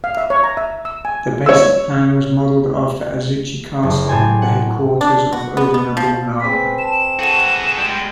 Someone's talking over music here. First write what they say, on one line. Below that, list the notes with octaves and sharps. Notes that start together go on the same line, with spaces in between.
The basic plan was modeled after Azuchi Castle, the headquarters of Oda Nobunaga.
F5
E5
C#5
A#5
E5
E6
G#5
C#5 E6
F#1
A2 G4 A4 G#5 C6
F#5
D4
F#4
B3
B3
F3
C4 G#4 B4 B6
A5 E7
F#4 G#4 A4 F#5
G3 G#3